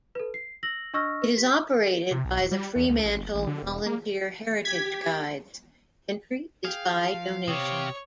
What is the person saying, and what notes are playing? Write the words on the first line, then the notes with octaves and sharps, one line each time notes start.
It is operated by the Fremantle Volunteer Heritage Guides; entry is by donation.
A4 B4
C7
E6 A#6 F#7
D4 D#5 C#6 E6 F6 A#6
B4
G4 B6
C3
B1
D#1
G3
E2
C#2
A1
F#1
A1
D3
E1
A#3
G4 G#6 B6
G#4 F5 G5
F3
C3 G4 C#5 D#6